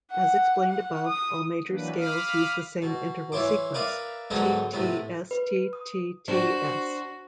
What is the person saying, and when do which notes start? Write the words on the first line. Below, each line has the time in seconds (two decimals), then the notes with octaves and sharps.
As explained above, all major scales use the same interval sequence T-T-S-T-T-T-S.
0.11 F#5
0.70 F#5
1.07 D#6
1.68 E3 F#3 A#3 D4 B4
1.97 F5 B5 D6 D#6 F6
2.82 B2
3.32 E3 E4 C#5 C6 D6
3.74 A#4 B4 D5 E5 F5
4.30 G#2 D3 F#3 B3 D4 D#4
4.73 A2 C3 B3
5.31 B4
5.73 D#6
6.28 D4 F#4 C5